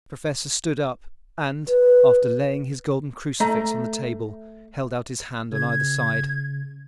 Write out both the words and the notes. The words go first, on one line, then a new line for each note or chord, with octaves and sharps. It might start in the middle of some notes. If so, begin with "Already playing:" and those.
The Professor stood up and, after laying his golden crucifix on the table, held out his hand on either side.
B4
A3 A#5
C#3 G#6